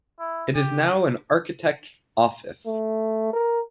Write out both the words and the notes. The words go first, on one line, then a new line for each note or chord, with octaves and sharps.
It is now an architect's office.
E4
C#3 G4
A3
A#4